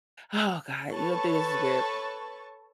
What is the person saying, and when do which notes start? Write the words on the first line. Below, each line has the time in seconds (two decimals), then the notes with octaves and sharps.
Oh god. You gonna think this is weird,
0.91 A4 B4 C#5 A5 C#6